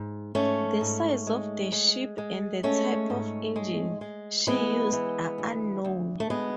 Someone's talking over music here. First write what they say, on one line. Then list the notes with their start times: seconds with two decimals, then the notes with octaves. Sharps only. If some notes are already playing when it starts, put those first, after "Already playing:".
The size of the ship and the type of engine she used are unknown.
Already playing: G#2
0.35 G#2 A3 C#4
0.81 G#2
1.27 G#3
1.72 G#3
2.18 G#3
2.63 G#3 A3 C#4
3.10 G#2
3.56 G#3
4.01 G#3
4.47 E3 G#3 B3
4.92 E3
5.38 D2
5.84 D2
6.20 A3
6.30 D2 G#3 B3